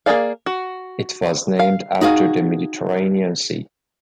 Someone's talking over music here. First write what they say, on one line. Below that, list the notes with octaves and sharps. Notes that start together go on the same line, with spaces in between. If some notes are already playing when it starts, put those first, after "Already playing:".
It was named after the Mediterranean Sea.
A#3 D#4 G#4 D5 F5
F#4
F5
D#4 F#4 G#4 F5